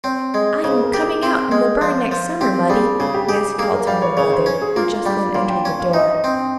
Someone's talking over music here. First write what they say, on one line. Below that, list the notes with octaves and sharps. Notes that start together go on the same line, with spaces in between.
"I'm 'coming out' in the barn next summer, Muddy!" Nancy called to her mother, who just then entered the door.
C4 C#5
G#3
C#3 C5
A#4
G4
G#4
C4
G#3
F3
F3
C4 G4
G3 G#4
C#3 G#4
G4
G4 G#4
A#3 G#4
A#4
G3 F5
C#5
C#3 C#5
C5
C#4
G#4
A#3 F4
F4
G3 G4
A#2 F5
G5
C#4
F5
D#4 D#5
D#5
C4
G5